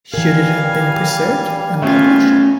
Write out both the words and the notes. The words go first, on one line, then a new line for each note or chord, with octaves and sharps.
Should it have been preserved and published?
E3 G3 A#4 F5 G#5
A3 B3 C#4 F4 E5 G#5